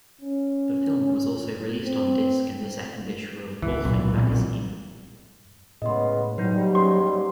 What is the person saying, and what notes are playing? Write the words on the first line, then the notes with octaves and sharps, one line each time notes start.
The film was also released on disk in the second issue of "Wholphin Magazine".
C#4
C4
C#2 G#2 E3
B1 A#2
B2 F#3 C4
A2 C#3 G#3 B3 D#5 C6
D#2 G#2 F#3 G3 D#4 B4
C#4 G4 B4 C6